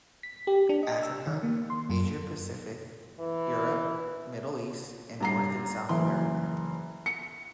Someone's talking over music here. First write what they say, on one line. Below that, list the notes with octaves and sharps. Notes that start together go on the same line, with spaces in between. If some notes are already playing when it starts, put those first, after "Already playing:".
Africa, Asia-Pacific, Europe, Middle East and North and South America.
B6
G4
D4
D#5
E6
D#3
A#3
C6
F#2
E3
G2 A#5 C7
F#1 E3 C6
C#7